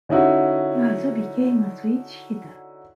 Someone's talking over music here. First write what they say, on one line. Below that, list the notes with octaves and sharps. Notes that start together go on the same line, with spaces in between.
He also became a switch-hitter.
D3 C#4 D#4 E4 F#4